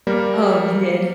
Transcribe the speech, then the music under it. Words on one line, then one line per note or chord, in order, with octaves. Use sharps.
Oh, we did.
G3 A#3 A#4